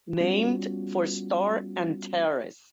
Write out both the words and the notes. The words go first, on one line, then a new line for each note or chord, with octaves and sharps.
Named for star Antares.
G3 B3 C#4 F4 F#4